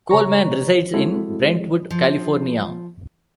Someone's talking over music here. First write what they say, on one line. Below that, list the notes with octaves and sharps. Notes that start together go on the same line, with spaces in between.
Coleman resides in Brentwood, California.
C#3 C#5 A#5 C#6
G#3 C4 E4 F#4 A4
F3